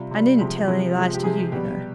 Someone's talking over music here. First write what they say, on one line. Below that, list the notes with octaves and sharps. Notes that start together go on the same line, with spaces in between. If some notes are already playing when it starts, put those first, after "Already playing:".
I needn't tell any lies to you, you know.
Already playing: C3 G3 F4
C3 G3
C3 F3 G#3 G4
C3 F3 G#3
C3 F3 G#3
G4
C3 F3 G#3 G#4
B2 G3 G4